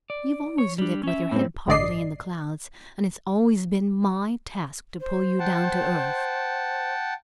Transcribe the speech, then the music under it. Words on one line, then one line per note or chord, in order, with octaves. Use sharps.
You've always lived with your head partly in the clouds, and it's always been my task to pull you down to earth.
D5
C#5
G3 D4
C#4 E5
A2 C4
A1 G2 D3 D5 D#5 C7
C5
F#5 G5 A5